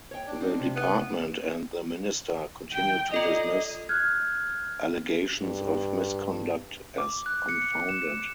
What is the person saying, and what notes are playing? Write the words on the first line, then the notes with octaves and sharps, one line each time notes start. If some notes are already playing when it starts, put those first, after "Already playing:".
The Department, and the Minister, continued to dismiss allegations of misconduct as unfounded.
C#5 G5
D4
C4 D#4
C3
B3
G5
F4 A4 D5 D#5
F6 F#6 G#6
G2
D6
F#6
C#7
E7